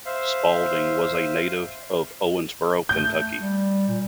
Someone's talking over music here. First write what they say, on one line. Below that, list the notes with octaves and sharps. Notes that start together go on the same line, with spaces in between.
Spalding was a native of Owensboro, Kentucky.
C5 E5 F5
A3 G6
G3
A#2